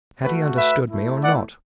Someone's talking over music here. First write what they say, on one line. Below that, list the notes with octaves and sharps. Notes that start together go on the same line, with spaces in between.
Had he understood me or not?
A3 F#4 B4
B4 E5
A3 E4
D5 F#5